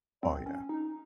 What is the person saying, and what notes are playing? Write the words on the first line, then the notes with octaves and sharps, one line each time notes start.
Oh, yeah.
C4
C#4
D#4